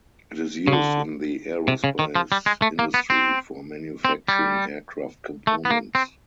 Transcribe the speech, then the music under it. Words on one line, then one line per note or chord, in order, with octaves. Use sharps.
It is used in the aerospace industry for manufacturing aircraft components.
C#3
D3
C3
C#3
D#3
F3
G3
G#3
A3
A#3
B3
C4
C4
G3
A3
B3
A#3
C4